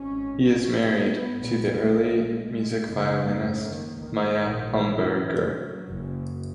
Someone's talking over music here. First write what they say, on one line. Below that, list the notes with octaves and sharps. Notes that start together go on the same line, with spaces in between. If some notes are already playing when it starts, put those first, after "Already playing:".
He is married to the early music violinist Maya Homburger.
Already playing: G#1 G#2 C#4
C#4
B3
A#1 A#2
G#3
G#3
F#1 F#2 C#3
A#3
D#3
D#3
A#1 A#2
E3
F#3
F#1 F#2 C#3